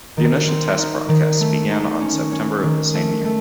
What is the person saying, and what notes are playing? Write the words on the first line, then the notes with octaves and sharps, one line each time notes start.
The initial test broadcasts began on September of the same year.
D#3
C4
D#4
D#3
A3
D#4
C#4
C#4
D#3
A3
A3